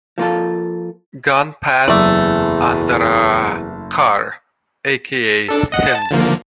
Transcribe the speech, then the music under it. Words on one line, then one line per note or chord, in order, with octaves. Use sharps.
Gunpat Andarakar aka Hind.
F3 A#3 F4 A4
F#1 E2 A3 D5
D4 A4
D#5 F#5
A5
D3 F3 A#3